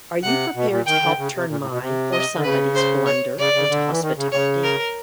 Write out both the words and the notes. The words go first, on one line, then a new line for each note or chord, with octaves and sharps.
Are you prepared to help turn my, or somebody's, blunder into hospitality?
C3 F#5
B2
A#2
D#3 G5
D3
C#3
C3
A#2
A2
B2
C3
D#5
D3
C#3 B4
C5
C#5
C#3 D5
C#3
D3
E3
D#3
C#3
C#3 C#5
A#4